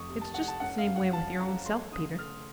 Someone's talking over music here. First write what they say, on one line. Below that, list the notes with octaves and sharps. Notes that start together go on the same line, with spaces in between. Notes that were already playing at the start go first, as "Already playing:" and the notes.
It's just the same way with your own self, Peter.
Already playing: F1 F2 C#6 D#6
C3
A5
F1 F#5
A5
F#2 F#5
F5
F#2
F#5
F3 A5
C#4 A#5
A3 C6
C#3 D#6
A3 F6